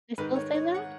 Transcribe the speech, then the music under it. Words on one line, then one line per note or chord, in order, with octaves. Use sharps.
they still say that?
G#2 D#3 B4
C#5
C#5
F#5